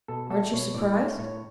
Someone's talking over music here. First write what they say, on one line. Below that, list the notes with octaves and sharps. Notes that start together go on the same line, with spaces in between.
"Aren't you surprised?"
B2 A4
A3 A4
B2 C#5
A2 D5
A3 C#5
A2 C#5